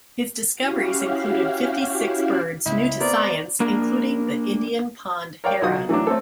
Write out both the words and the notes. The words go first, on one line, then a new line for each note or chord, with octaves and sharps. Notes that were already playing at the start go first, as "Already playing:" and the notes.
His discoveries included fifty-six birds new to science, including the Indian pond heron.
C#4 E4 F#4 G4 F5
C#2 E4
B3 C4 A#4 D5
A#3 D4 A#4
A#4 C#5 D5 F5 G5
B1 F4 F#4 D#6
E3 F#3 A3 D4
A3 C4 C#4 A4